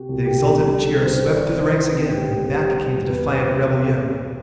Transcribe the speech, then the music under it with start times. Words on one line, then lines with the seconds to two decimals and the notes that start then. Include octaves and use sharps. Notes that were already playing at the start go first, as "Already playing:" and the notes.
The exultant cheer swept through the ranks again, and back came the defiant rebel yell.
Already playing: C3 F#4 G4
0.09 C2
0.26 G4
0.57 G3 G4
0.80 A4
1.04 C2 C5
1.27 D5
1.51 D3 C5
1.82 B4
1.98 C4
2.15 G4
2.45 G3 G4
2.93 E2
3.09 B4